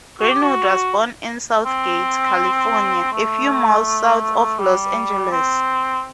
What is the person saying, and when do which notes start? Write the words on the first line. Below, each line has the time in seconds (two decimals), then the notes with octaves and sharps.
Greenwood was born in South Gate, California, a few miles south of Los Angeles.
0.21 F#4
0.31 G4
0.42 F#4
1.66 C4
3.12 A3
4.59 G3
5.31 C4